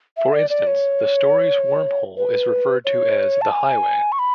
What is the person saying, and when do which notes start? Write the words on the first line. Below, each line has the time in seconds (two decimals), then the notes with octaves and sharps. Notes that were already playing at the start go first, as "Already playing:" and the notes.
For instance, the story's wormhole is referred to as "The Highway".
0.17 E5
0.33 D5
0.50 D5
0.67 C#5
2.17 B4
2.85 C#5
3.41 A5
3.52 G#5
4.12 C#6
4.19 B5